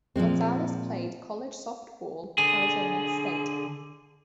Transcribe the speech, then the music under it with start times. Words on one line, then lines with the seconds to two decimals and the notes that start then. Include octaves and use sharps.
Gonzales played college softball Arizona State.
0.16 A#2 F3 G#3 C4
2.38 D3 G#4